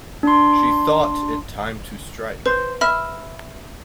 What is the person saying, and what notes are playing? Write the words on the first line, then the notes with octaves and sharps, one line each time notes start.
She thought it time to strike.
D4 C6
B4 C5
E5 B5 F6